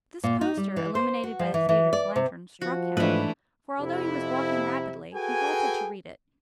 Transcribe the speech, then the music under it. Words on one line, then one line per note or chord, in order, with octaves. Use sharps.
This poster, illuminated by the theatre lanterns, struck him; for, although he was walking rapidly, he halted to read it.
A#2
D#4
G3
E3
C5
F#4
F3
E3
E3
D5
C3
F3 F#4
G#2 E3 A3 D4 B4
F2 C3 E4
F#4 G#4 A4 B4 G5 G#5